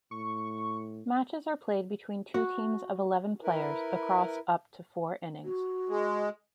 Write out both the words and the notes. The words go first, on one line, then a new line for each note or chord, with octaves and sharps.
Matches are played between two teams of eleven players, across up to four innings.
A2 C#6
F#4
E4 A#4 B4
F#4
G#3